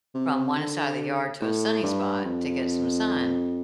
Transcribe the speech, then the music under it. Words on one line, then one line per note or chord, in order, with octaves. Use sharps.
from one side of the yard to a sunny spot to get some sun,
C3
D3
A2
G2
F2